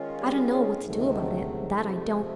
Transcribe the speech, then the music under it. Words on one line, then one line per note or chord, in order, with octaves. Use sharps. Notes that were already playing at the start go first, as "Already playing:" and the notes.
I don't know what to do about it, that I don't.
Already playing: D#3 G#3 C#4 F4
G3
C#3
D2 G#2 C3 D#3 F#3 A3
F2 C3 F3 A3